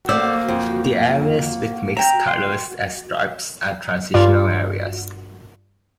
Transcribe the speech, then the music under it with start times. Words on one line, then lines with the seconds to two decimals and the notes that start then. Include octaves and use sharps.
The areas with mixed colors as stripes are transitional areas.
0.09 A3 A#3 F#4 C5 D5 E6
0.48 F2
1.97 E5 G5 A#5
2.28 C6
4.14 G2 F4 D5